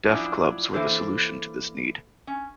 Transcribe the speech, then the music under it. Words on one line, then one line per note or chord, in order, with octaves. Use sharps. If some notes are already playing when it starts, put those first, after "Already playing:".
Deaf clubs were the solution to this need.
F3 F#3 C#4 D4 E4
E3 A#3 D4 A4 C5
C#4